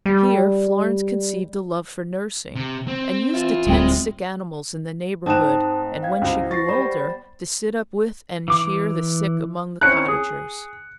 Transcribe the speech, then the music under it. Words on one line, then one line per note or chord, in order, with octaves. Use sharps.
Here Florence conceived a love for nursing and used to tend sick animals in the neighborhood and when she grew older, to sit up with and cheer the sick among the cottagers.
G3
C3
C4
E3 E4 F4
D1 G3 G#3 C4
G#2 A3 C4 A5 D#6 F#6 E7
F5 G5 G#6
C#2 E4 F#4 C5
C#6 A6 A#6 C7
G3 B3 C5 B5
E3 D6
C4 C#4 E4 F#6 C#7
G#4